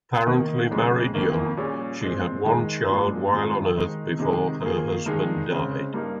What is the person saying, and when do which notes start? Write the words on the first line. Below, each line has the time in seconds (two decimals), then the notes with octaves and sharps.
Apparently married young, she had one child while on Earth before her husband died.
0.27 D#3 A#3 D#4
0.71 F2 C#3 G#3
1.14 F2 D#3 A#3
1.57 A#2 G3 C#4 G#4
2.01 A#2 G#3 C4
2.45 D#3 G#3 D#4 G#4
2.89 A#2 F3 G#3 D#4
3.32 G2 D#3 G#3 C4 F4
3.76 D#3 G#3 D#4
4.19 C3 D#3 G#3 D#4 G#4
4.63 D#3 A#3 F4 G#4
5.06 G2 D#3 G#3 D#4 G#4
5.50 C#3 G#3 C4
5.94 G2 G3 A#3 D#4